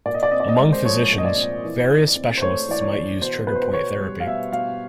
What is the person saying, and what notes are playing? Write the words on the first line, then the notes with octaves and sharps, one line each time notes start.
Among physicians, various specialists might use trigger point therapy.
A#2 D5
D#5
D5
C4 D#5
D5
D#5
G#3 D5
C5
F3 C#5
A#2
D#5
D5
C4
E3
E3
C4
C5
A3 C#5
E3 D5
C#5
E3
B2 C5
B2 B4
C5
B4
B3 C#5
G3
F5
B2 E5
B2 F5